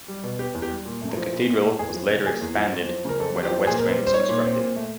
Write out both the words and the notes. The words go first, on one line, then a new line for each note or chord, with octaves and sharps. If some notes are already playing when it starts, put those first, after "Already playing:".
The cathedral was later expanded when a west wing was constructed.
G3
B2
B3 G4
E2
G4
G3
A#2
A3
F3
A#2
A#2
A3
E2 G#4
F3
C#3
A#3 G#4
E2
F3
F2
F3
C#3 A#4
F2 A4
F2
G4
F3
A#2 G#4
A#4
C4
B4
G3
C5
D#4 C#5
A#2
C4
A#2
A3